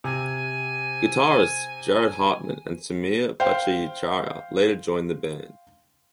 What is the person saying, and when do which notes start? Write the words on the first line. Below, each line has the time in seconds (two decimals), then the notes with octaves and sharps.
Guitarists Jared Hartmann and Sameer Bhattacharya later joined the band.
0.04 C3 G#5
3.40 C5 F5 G5